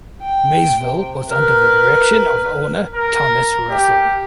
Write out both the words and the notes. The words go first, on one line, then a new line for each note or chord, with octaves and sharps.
Maysville was under the direction of owner Thomas Russell.
G5
C3
A#4 B4
A#4
G4